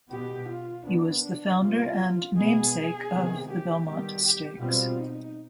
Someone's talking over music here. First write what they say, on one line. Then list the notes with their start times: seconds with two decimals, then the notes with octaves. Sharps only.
He was the founder and namesake of the Belmont Stakes.
0.10 B2 B3 G4
0.49 F4
0.85 D#3 B3 D4
1.23 D4
1.61 C3 G3 B3 F4
2.37 B2 G#3 B3 G#4
3.12 C3 D#3 G#3 B3
3.49 G4
3.86 D#3 G3 B3 G4
4.24 G4
4.62 B2 G3 C4 F4
4.99 D#4